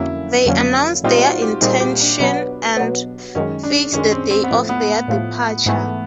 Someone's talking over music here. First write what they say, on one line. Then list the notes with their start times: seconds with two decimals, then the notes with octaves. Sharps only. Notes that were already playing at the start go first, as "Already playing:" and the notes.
They announce their intention and fix the day of their departure.
Already playing: F2 D3 F#3 A#3 C#4 E4
0.46 F2 D3 F#3 A#3 C#4
1.04 A#2 G3 C4 D#4 F4
1.23 F#4
1.42 G4
1.61 A#2 G3 C4 D#4 G#4
1.80 G4
2.00 D4
2.20 B2 F#3 B3
2.77 B2 F#3 B3
3.35 F#2 D#3 G#3 C#4
3.63 D4
3.92 F#2 D#3 G#3 C#4
4.12 C4
4.31 C4
4.44 B3
4.51 A2 F3 A3
4.69 B3
5.08 A2 F3 A3
5.66 G#2 E3 A3 B3